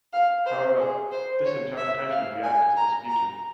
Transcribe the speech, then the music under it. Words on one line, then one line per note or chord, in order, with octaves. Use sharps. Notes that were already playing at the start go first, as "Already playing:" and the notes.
However, this interpretation of the Act is disputed.
F5
C5
G#4
C5
C#5
E5
F5
G#5
A#5
A#5